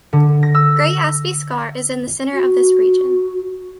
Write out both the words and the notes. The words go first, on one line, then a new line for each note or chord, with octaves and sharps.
Great Asby Scar is in the centre of this region.
D3
A#6
E6
F#4